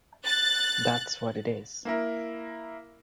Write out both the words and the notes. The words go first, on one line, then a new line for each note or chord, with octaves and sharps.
That's what it is.
F#6 A6
A#3 E4 A#4